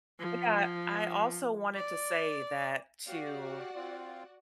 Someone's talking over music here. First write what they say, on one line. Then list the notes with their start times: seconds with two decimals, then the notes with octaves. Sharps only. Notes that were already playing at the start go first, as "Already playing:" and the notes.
Yeah. I also wanted to say that to
0.20 F3
1.75 D5
3.08 F#4 G4 D5 F5 F#5
3.76 C4 F4